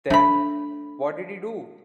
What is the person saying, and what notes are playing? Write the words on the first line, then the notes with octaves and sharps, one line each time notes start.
Then what did he do?
A3 D4 B5